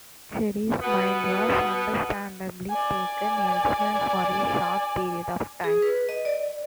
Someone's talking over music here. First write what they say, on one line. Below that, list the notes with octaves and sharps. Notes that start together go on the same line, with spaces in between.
Jerry's mind was understandably taken elsewhere for a short period of time.
B2 B3
D5 G#5
G#4
B4
D#5
D5